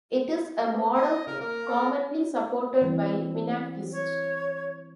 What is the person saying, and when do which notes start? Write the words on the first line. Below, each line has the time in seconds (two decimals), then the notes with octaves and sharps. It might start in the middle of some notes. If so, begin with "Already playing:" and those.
It is a model commonly supported by minarchists.
0.73 B3
0.95 D#5
1.27 C#3 A#4
1.40 A#3 A#4
1.69 A4
2.81 E3 G3 C4
3.92 C#5